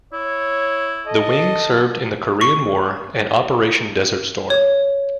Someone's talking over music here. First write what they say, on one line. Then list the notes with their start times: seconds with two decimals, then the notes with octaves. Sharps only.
The wing served in the Korean War and Operation Desert Storm.
0.13 E4 C#5
1.07 A4 D#5
2.41 C#6
4.50 C#5